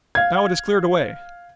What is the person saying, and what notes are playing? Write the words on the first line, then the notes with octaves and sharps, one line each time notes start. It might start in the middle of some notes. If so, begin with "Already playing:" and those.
Now it has cleared away!
F5 G#6